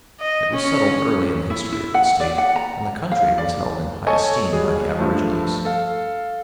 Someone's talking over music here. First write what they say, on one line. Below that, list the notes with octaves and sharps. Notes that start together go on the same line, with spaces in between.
It was settled early in the history of the State, and the country was held in high esteem by the aborigines.
D#5
C#4
E4
E4
F#5
D5
F#5
A#5
F5
D5
A4 C#5 D#5 G#5 A5 C#6
G3 F#4 G#4
G2 F3 A3 A5
A4 F5